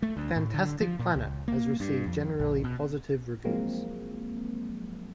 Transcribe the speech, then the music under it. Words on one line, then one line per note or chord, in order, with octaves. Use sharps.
"Fantastic Planet" has received generally positive reviews.
A3
D2
A2
D3
F3
A#2
C#2
A#3
G2
F2
A#1
B2
F3 F#3 G#3 A#3 C4